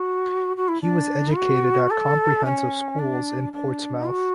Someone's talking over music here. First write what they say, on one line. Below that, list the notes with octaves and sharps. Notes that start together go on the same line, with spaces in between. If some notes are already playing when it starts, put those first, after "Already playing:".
He was educated at comprehensive schools in Portsmouth.
Already playing: F#4
F#4
E4
D4
F#4
A4
C#4
D4
D4
F#4